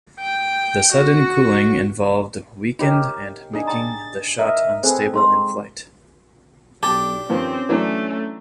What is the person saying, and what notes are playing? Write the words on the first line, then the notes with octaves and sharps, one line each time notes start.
The sudden cooling involved weakened and making the shot unstable in flight.
G5
F#4
D#4 F4 G4 A#4 C#5 D5
D4 D#4 G#4
G5 A5 A#5 A6
A#4 D#5 E5
C4 G#4 A4 B4 C5
G#3 D#4 A5 C6 E6
B1 D4 G4 A5
G2 D#3 F3 C4 C#4
E3 F#3 A3 D4